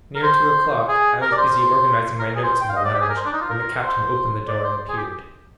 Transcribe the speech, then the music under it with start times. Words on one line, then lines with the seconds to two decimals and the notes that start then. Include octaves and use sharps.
Near two o'clock I was busy organizing my notes in the lounge, when the captain opened the door and appeared.
0.15 A#4
0.23 C5
0.89 G#4
1.22 A#4
1.32 D5
1.38 C5
2.19 A#4
2.35 G#4
2.44 C5
2.61 G5
2.69 F5
2.76 D#5
2.85 D5
2.94 G4
3.01 G#4
3.09 A#4
3.17 C5
3.25 D4
3.33 D#4
3.41 F4
3.50 A#4
3.83 C5
4.48 D5
4.64 C5
4.89 G#4
4.97 G4